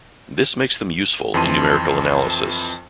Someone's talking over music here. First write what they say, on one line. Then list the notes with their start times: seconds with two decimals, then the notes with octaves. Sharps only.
This makes them useful in numerical analysis.
1.34 F2 E3 A5 C6 D#7